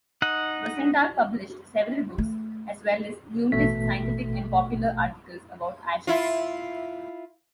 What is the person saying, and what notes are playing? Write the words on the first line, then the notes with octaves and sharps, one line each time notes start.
Rosendahl published several books, as well as numerous scientific and popular articles about airships.
D#4 D#5 F#5
A3
A1 B2 A3 B6
E4 F4